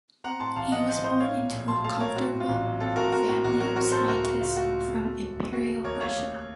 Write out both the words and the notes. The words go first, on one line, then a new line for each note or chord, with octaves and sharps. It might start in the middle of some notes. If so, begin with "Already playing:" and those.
He was born into a comfortable family of scientists from Imperial Russia.
C4 F#5 A#5
A2 A5 C6
A1 F5 A5
F3 D#5 F#5
C4 C5 D#5
A2 C5 D#5
A3 C#5 F5
A#2
A#1
F#3 A5 C6
A3 F5 A5
A#2 A#4 C#5
C4 F#4
A2
F4
A1
F#3
C4 F4 A4
A2 F#4 A#4
C4 F#4 A#4
A2 F#4
A1 F#4
F#3 F#4 A#4
C4 F#4 A#4
A2 A4 C5
C#2 F#4 A#4
C#3 F#4
C#2 F4
A3 F#4
C#2
C#3
A3
D#2
F1
C#3 F#4
A3
D#2 A#4 C#5
A3 C#5 F5
D#2